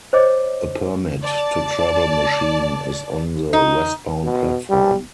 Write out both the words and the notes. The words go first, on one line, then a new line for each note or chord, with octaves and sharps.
A Permit to travel machine is on the westbound platform.
C5 C#5 D#5 D6
D5 A5
D#4
B2
G3